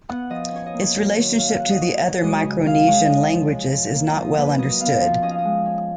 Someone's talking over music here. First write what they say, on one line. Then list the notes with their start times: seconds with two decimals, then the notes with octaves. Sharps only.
Its relationship to the other Micronesian languages is not well understood.
0.09 B3 F#5
0.30 F3 D#5
0.53 C#4 C#5
0.66 D#5
0.74 A#3
0.81 C#5
0.95 F#3
1.17 D#3
1.37 C#4 F5
1.48 F5
1.59 F#3 F#5
1.70 D#5
1.81 C#4 C#5
2.01 F#3
2.23 G#3 D#5
2.44 C#3
2.66 C#4 F5
2.87 G#3 C#5
3.09 G#3 D#5
3.31 F3
3.52 G#3
3.73 F3
3.94 A#3
4.09 D#5
4.16 F3
4.23 D#5
4.37 A#3 B4
4.58 F#3 D#5
4.80 B3 F5
5.01 F3
5.22 C#4 D#5
5.31 F5
5.38 D#5
5.45 G#3
5.65 C#4